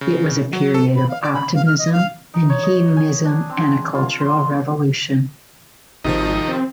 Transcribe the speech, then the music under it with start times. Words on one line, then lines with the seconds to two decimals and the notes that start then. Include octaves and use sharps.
It was a period of optimism and hedonism, and a cultural revolution.
0.01 C#3
0.53 F#3
0.74 A4
0.96 B5
1.09 F5
1.23 D5
1.34 B5
1.55 F5
1.67 F6
1.79 D#5
1.93 F5
2.34 D#4
2.50 C#5
2.63 D#5
2.96 G#5
3.25 D4
3.49 C4
3.63 G#4
3.95 F4
4.21 C6
6.04 G#1 C3 D#3 F3 D#4
6.48 C4